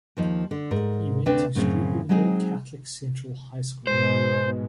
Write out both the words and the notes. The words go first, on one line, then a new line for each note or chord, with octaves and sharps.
He went to Steubenville Catholic Central High School.
D#2 F3 D#4
D3
G#2 A#4
D2 C4 D4 B4 E5 G5
F#2 A2 C#3 C4
F#3 G#3 C4 D#4 G#4
G#2 B2 G#3 C5